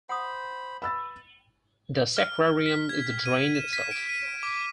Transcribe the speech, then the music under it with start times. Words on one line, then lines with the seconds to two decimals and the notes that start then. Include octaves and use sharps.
The sacrarium is the drain itself.
0.09 C5 F#5 B5 D#6
0.82 B4 B5 E6 A6
2.17 F6
2.66 B6
2.89 G#6
3.26 D#7
3.55 E7
3.73 B6
3.91 D7
4.09 D#7
4.43 D6